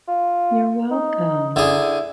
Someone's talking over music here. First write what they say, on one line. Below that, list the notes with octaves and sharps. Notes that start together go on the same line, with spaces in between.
You're welcome.
F4
D#4
D3 E4 G#4